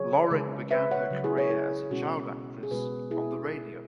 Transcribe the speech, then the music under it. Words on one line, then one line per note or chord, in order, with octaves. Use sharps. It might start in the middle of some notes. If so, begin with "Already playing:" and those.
Lorring began her career as a child actress on the radio.
Already playing: C#3 F#3 G#4 C#5
C#3 G#3
B4 E5
C#5 F#5
C#3 F#3
E4 G#4
G#4 C#5
E4 G#4
B2 G#3 C#4 F#4
G#4
B2 G#3 F#4 B4
E4 G#4